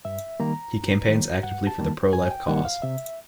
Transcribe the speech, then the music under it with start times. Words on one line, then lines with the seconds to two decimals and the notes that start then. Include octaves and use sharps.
He campaigns actively for the pro-life cause.
0.05 G2 E5
0.40 D#3 G3 A#3 A#5
0.75 G2
1.09 D#3 G3 A#3
1.43 G2 F#5
1.67 A5
1.79 D#3 G3 A#3
2.13 G2 G#5
2.31 G5
2.48 D#3 G3 A#3 F#5
2.65 F5
2.82 C3 E5